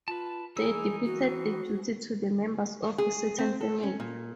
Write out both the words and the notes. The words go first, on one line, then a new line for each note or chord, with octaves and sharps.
They deputed the duty to the members of a certain family.
F4 B4 A5
E3 D#4 G#4 E6
F#4
G#4
C4
A4
C#4
A#2